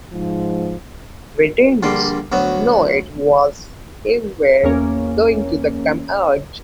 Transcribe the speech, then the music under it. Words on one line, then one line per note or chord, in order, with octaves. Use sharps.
We didn't know it was ever going to come out.
G#2 F3
A#1 D3 G3 A#3 C6
D2 F#3 B3
E2 A#3 C#4